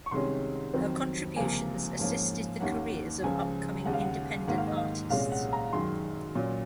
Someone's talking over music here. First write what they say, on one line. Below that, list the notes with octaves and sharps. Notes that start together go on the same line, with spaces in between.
Her contributions assisted the careers of upcoming independent artists.
C#6
C2 C3 D#3 G#3 C#4 C6
F2 D#3 F#3 C4
C#2 C3 F3 A#3 G#5
G#2 F3 A#3 C#4
D#2 D#3 A#3 C#4 F#5
C#2 C#3 F3 G#5
D#2 C#3 G#3 F#5
F5
F#5
G#2 D#3 A#3 F#5
F5
D#5
F5
C2 A#2 G#3 C#4 F5
F#5
A#5
F#2 D#3 G#3 C6
A#2 F#3 C#4